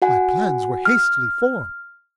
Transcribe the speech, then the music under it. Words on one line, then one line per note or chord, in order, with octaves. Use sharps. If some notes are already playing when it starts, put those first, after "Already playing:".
My plans were hastily formed.
F#4 F#5 G#5
F6